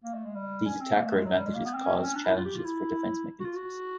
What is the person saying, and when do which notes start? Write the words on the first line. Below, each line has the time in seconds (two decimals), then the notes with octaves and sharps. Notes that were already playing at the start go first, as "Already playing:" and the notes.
These attacker advantages cause challenges for defense mechanisms.
0.04 A#3
0.14 A3
0.25 G#3
0.35 G3
0.66 C#4
0.81 C4
0.95 A#3
1.05 A3
1.15 G#3
1.25 F#3
1.35 G3
1.46 G#3
1.55 A#3
1.65 B3
1.75 C4
1.85 C#4
1.95 C4
2.05 C#4
2.15 D4
2.25 E4
2.35 F4
2.45 G4
2.55 F4
2.65 E4
3.40 F#4
3.44 F4
3.56 F#4